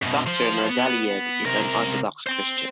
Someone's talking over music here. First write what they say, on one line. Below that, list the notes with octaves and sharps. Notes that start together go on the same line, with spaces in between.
Doctor Nurgaliyev is an Orthodox Christian.
F#2 B2
F3 C5
B3
C3 A#4
C5 G5